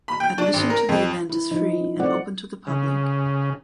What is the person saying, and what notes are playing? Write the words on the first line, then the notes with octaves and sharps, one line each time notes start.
Admission to the event is free and open to the public.
B5
G5
D4
G#1
A#4
F2
E4
F3 D#4
A3 C4 D5 F#5
C#3